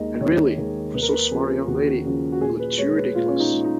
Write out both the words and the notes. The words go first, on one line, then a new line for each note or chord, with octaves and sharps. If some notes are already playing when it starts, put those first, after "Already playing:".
And really, for so smart a young lady, you look too ridiculous.
Already playing: D#2 D#3 G#3 D#5
D#2 C#5
D#3 G#3
D#2 B4
A#4
B4
C#3 F3 G#4
D#2 F#4
C#3 F3
F#4
A#2 G#4
B4
G#3 C#5
B4
A#2 F4
C#4
D#4
G#3
D#4